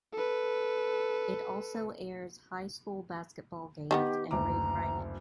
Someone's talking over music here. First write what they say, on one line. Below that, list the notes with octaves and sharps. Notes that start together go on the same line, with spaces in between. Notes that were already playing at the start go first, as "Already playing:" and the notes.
It also airs high school basketball games every Friday.
A4 B4
D#3 A3 B3 G4
F#1 D2 A#5 D6